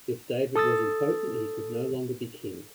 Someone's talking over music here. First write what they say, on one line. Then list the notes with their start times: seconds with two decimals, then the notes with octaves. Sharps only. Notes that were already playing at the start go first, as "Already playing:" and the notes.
If David was impotent he could no longer be king.
0.56 A4 D#6 E6 A6